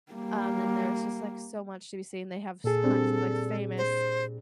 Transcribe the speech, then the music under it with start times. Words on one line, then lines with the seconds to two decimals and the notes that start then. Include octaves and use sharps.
Um, and there's just, like, so much to be seen, they have s tons of, like, famous
0.12 G3 A#3
2.64 A#2 G#4 A4
2.83 G3 C4 D4
3.78 C5